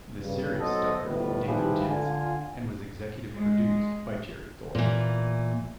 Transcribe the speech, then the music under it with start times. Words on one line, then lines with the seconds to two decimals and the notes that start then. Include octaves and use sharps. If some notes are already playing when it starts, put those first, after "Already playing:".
The series starred David Janssen and was executive produced by Jerry Thorpe.
0.21 G2 C#3
0.58 B1 F#3 A4 C5 D#5
1.05 G1 D2 A2 D#3 B4
1.46 D#3 F3 G3 E4 G#4 B4
1.87 D3 F4 G#5
3.34 G#3
4.75 A#2 E3